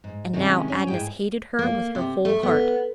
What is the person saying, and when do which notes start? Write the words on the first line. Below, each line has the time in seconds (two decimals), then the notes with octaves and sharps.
And now Agnes hated her with her whole heart.
0.04 G#2
0.33 C3 D#3 G#3 C#4 E4
0.70 C#4 C#5
0.87 G#2 E4 G#4 G5
1.59 A#3
1.95 C3
2.25 A3
2.43 B3